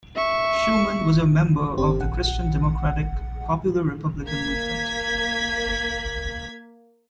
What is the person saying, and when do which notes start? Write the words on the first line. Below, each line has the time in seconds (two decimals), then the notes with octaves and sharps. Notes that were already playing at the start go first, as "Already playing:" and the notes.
Schumann was a member of the Christian democratic Popular Republican Movement.
0.16 E5 C#6
1.77 G1 C4 G4
2.01 A#1 F#5
4.27 A#3 G#6 B6